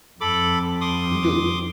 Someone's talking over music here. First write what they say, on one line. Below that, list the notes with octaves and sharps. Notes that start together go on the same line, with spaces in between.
You do.
F2 A4 B5 D6
C6 D6 D#6